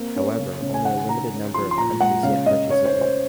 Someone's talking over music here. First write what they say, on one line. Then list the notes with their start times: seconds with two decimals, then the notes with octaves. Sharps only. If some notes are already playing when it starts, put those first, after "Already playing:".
However, only a limited number of countries yet participate.
Already playing: A#3 C4
0.16 C#4
0.39 C#3
0.62 C#3
0.74 G#5
0.85 D#3 F#5
0.97 G#5
1.08 D#3 A#5
1.31 C#4
1.54 F3 C6
1.71 C6
1.78 A#2 A#5
2.01 G#3 F#5
2.23 C#3 F5
2.46 C#3 D#5
2.70 C#4 C#5
2.85 C5
2.93 C#4
3.01 C5